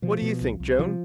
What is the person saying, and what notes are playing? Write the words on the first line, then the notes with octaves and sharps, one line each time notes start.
"What do you think, Joan?"
B2 F3
B2
C2
C2
C3 F3